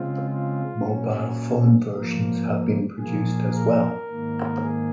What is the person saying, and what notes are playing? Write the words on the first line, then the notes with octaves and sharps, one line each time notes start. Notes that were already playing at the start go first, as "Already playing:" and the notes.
Mobile Phone versions have been produced as well.
Already playing: C#3 G#3 C4 F4
F4
A#2 F#3 C#4
G#2 F3 A#3
A#2 F3 A#3 G#4
A#4
G#2 D#3 A#3
G#4